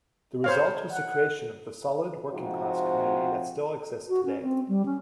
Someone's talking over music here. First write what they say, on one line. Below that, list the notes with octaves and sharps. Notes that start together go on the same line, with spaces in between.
The result was the creation of the solid working-class community that still exists today.
C5 C#5 F5
F#5
G#2 C3 F3 C4 F#4
F#4
C#4
C4
G3
C#4